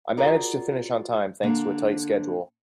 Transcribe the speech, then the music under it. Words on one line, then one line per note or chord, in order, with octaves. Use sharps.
I managed to finish on time thanks to a tight schedule.
F4 F#4 G#4 A#4 C#5 D5
D3 A#3